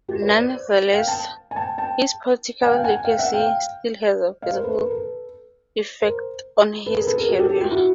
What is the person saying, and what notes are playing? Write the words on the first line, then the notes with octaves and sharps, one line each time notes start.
Nonetheless, his political legacy still has a visible effect on his career.
F4 G4
B4 C#5
C5 D5
F5 G5
G5 A5
G#5
G5 A5
G5 A5
F#5 G#5
F5 G5
F#5 G#5
F5 G5
E5 F#5
F5 G5
D#5 F5
A#4 C5
A4 B4
B4
A#4
A4 B4
A#4 C5
A4 B4
G#4 A#4
A4 B4
G#4 A#4
F#4 G#4
G4 A4
G4 A4
F4 G4
E4 F#4